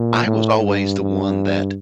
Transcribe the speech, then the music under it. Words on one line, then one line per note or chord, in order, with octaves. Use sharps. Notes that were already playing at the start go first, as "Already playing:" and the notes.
I was always the one that
Already playing: A#2
A2
G2
G2